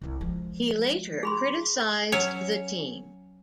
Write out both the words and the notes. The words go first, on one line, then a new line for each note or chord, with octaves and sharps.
He later criticised the team.
C2
F3 G#3
G#4 B5 C6
F#3 C#4 C#5